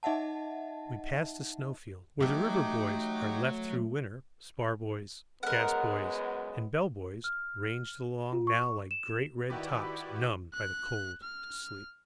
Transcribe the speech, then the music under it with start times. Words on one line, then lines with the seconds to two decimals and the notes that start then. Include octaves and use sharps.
We passed a snow-field, where the river-buoys are left through winter, spar-buoys, gas-buoys, and bell-buoys ranged along now like great red tops numbed by the cold to sleep.
0.03 D#4 D#5 E5 F#5 A5
2.21 E3 F#3 A3 D#4 G4 E5 D6
5.43 F#2 G#3 B3 A#4 F#5
7.24 F6
8.33 F4
8.47 C#6
8.91 E7
9.50 D#3 E4 F#4 G4 B4 D5
10.54 F#6
11.24 F6